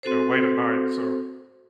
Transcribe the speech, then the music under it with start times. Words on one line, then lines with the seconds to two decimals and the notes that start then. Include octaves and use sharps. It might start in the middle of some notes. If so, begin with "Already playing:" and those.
you know, late at night. So
0.03 C4 F#4 A4 C5